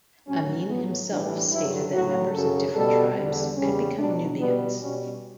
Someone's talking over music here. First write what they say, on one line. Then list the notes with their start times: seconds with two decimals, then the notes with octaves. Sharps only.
Amin himself stated that members of different tribes could become Nubians.
0.28 A2 F#3 C#4
0.68 A2 F#3 B3
1.10 A2 E3 G3 D4
1.51 G2 F#3 E4
1.93 A2 F#3 F#4
2.33 F#2 C#3 F#3 A4
2.75 B2 G3 A4
3.16 E2 D3 G3
3.57 E2 C#3 G3 C#4
3.98 B2 F#3 D4
4.40 B2 G3 B3
4.81 B2 G3 C#4